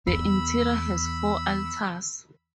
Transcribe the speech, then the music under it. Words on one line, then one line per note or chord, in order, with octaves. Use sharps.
The interior has four altars.
E2 B5 E6